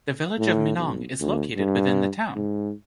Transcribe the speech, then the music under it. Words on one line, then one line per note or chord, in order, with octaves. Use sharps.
The Village of Minong is located within the town.
A2
B1
D2
G2
G#2